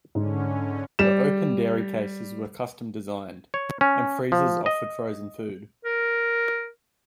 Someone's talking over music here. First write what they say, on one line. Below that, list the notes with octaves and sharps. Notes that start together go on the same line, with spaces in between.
The open dairy cases were custom designed, and freezers offered frozen food.
G#2 D3 C#4
G3 E7
C#5
C#4
F3
D#5
A#4